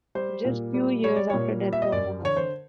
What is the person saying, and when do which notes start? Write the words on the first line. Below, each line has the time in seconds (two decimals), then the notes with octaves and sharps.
Just few years after death of Muhammad.
0.15 G3 C5
0.45 A#2
0.74 G3
1.04 G3 C#5
1.16 D5
1.30 A#2 C#5
1.63 G3
1.73 E5
1.82 D#5
1.92 F#2 D5
2.22 D3 C#5
2.37 C5